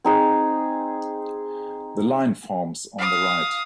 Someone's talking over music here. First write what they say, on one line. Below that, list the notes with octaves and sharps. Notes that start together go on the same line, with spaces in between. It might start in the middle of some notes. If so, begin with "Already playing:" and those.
The line forms on the right.
C4 D#4 G#4
F5 D#6